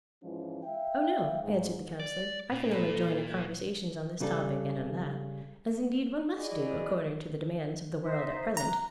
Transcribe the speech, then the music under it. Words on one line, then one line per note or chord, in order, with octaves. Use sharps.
"Oh no," answered the Councillor, "I can only join in conversation on this topic and on that, as indeed one must do according to the demands of the world at present."
G#2 E3 F3 C#4 F4
E5 F5 G5
G#2
D5
A#2
A4 B4
C#3 G3 A4
E4 F#4 G#4 D5 D#5
D#4 C5 E5
A#5 F#6